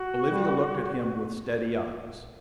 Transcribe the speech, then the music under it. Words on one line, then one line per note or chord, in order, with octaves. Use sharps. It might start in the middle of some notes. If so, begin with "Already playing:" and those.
Olivia looked at him with steady eyes.
Already playing: F#4
G3